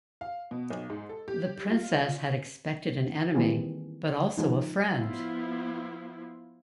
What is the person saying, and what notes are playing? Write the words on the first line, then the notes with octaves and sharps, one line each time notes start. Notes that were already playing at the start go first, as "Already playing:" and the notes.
The Princess had expected an enemy, but also a friend.
F5
B2
B1
G#2
A4
G4
F4
D#3 E3 G3 A#3 C4 G#4
F3 G#3 D#4
F3 B3 E4 F4